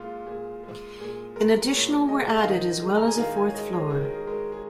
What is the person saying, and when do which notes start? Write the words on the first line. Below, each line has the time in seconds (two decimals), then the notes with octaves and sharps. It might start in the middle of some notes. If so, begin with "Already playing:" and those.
An additional were added, as well as a fourth floor.
Already playing: A#2 G#3 F4
0.27 A#2 G#4
0.63 G#3
1.00 A#2 G#4
1.36 G#3 A#4
1.72 A#2 C#5
2.08 G#3 D#5
2.39 F5
2.45 D#3 D#5
2.81 G#3
2.97 A#5
3.08 G#5
3.18 D#3 F5
3.36 G#5
3.48 C#5
3.54 G#3 D#5
3.72 C#5
3.90 D#3 G#4
4.01 A#4
4.12 G#4
4.27 G#3 A#4
4.52 G#4